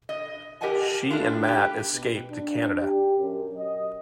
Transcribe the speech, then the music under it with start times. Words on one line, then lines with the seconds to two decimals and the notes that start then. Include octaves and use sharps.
She and Matt escape to Canada.
0.09 D#5
0.61 G4 A#4 D#5 F#5 G#5 A5
1.10 A3 D4 F4
1.44 G4 B4 G5
1.91 B2
2.31 D4
2.81 G4
3.18 F#2
3.57 D#5